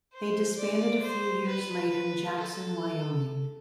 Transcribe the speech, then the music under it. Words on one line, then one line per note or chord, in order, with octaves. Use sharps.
They disbanded a few years later in Jackson, Wyoming.
C5
D5
C5
B4
A4